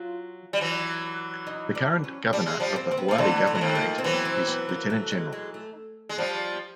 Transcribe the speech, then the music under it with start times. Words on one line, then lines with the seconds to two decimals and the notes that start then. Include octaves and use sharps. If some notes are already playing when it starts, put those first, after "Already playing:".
The current governor of the Hawalli governorate is Lt.Gen.
Already playing: F#3 F4
0.53 G3
0.61 E3 F#3
1.47 D#4
1.75 D4
2.04 C#4
2.33 G3 D4
2.46 G#3
2.60 F3 G3
2.76 C4
2.91 C4
2.98 B3
3.08 F3 A#3
3.18 D3 E3 A3
3.47 A3
3.55 F#3
3.61 D#3 F3
3.75 A#3
3.98 C4
4.04 E3 F#3 B3
4.25 C4
4.48 B3
4.69 A#3
4.90 A3
5.11 G#3
5.33 G#3
5.54 A3
6.09 G#3
6.18 F3 G3